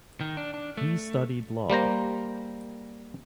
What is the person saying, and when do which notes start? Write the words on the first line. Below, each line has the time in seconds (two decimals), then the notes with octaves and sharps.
He studied law.
0.21 D#3
0.37 D4
0.54 D4
0.77 A3
1.70 G3 A#3 C5 A#5